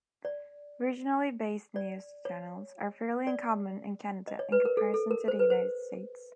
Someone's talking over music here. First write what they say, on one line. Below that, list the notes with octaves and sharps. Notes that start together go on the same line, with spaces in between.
Regionally-based news channels are fairly uncommon in Canada in comparison to the United States.
D5
D5
C#5
D5
D#5
C#5
B4
A#4
A4
A4
A#4
C5
B4
C5